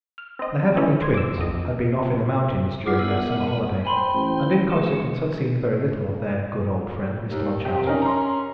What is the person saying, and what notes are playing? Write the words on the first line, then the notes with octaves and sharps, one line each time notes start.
The Heavenly Twins had been off in the mountains during their summer holiday, and in consequence had seen very little of their good old friend, Mr. Munchausen.
F6
C4 D#5
A2 E3 C#4 E4
C5 G#6
D6 E6
A#1 F2 D#5
E4 F4 G#4 F#5 D6 F6 C7
B3 A#4 E5 E6
C5 G5 G#5 B5 C6
A1
G#3 A3
D#2
C3 G4
C#4 D#4 A#4
A#5 C6